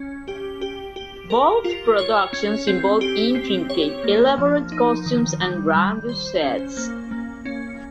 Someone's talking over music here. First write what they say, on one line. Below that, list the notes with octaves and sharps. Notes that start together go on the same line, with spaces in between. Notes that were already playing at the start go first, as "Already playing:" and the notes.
Both productions involve intricate, elaborate costumes and grandiose sets.
Already playing: C#4
G4
G4
G4
A#4
F4
C#5
C#4
C4
G4
C4
C#5
A#3
F3
D#4
D#3
G3
G3
C5
C#4
A#3
A#3
C#4